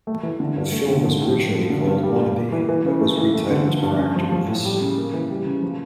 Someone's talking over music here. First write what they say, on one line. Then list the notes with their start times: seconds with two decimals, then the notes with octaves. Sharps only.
The film was originally called "Wannabe", but was retitled prior to release.
0.07 A3
0.23 E3
0.40 D3
0.57 G2
0.72 A3
0.88 D3
1.05 F3
1.22 A2
1.39 A#3
1.54 F3
1.70 D3
1.87 G2
2.03 G3
2.20 A#2
2.36 A#3
2.52 E3
2.69 E3
2.85 C#3
3.01 A3
3.18 E3
3.34 A3
3.51 D3
3.67 F3
3.83 G2
3.99 C#4
4.16 F3
4.32 F3
4.47 A2
4.65 G3
4.81 C#3
4.98 A#3
5.13 E3
5.30 G3
5.47 C#3
5.63 F3